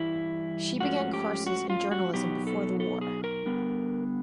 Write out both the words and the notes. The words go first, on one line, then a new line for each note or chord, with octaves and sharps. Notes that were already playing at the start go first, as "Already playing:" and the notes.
She began courses in journalism before the war.
Already playing: G2 E3 G3 E4
G#2 F3 A3 C#4 F#4
G4
F#4
F4
F#4
B2 F#3 B3 D#4 G4
A4
A4
G#4
A#4
D3 G3 B3